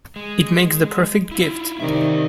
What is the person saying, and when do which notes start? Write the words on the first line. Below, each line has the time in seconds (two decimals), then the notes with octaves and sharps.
It makes the perfect gift.
0.16 G#3
1.32 E4 F4
1.80 C3 D#3 D5 E5